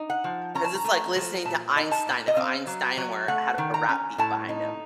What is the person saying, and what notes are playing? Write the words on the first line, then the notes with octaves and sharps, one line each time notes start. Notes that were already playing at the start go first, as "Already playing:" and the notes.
'Cause it's like listening to Einstein, if Einstein were had a rap beat behind him.
Already playing: D#4
F#5
F3
C#4 A#5
A5
A#5
A3
F3
A#2 A5
D#4
A5
A#2
D#5
C4 F5
F#3
F#3
A3 F#5
D#3
A#5
C#4
A2 A5
D#4